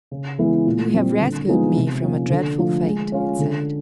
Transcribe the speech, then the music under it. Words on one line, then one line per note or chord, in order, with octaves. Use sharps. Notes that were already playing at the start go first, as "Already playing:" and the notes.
"You have rescued me from a dreadful fate," it said.
C#3
E3 G#3 B3 E4
A#2
G3 C4
D3
F3 G#3 B3 D#4
C3
F3 A#3 C#4
D3
F3 A3
G#3
C#4 F4
D3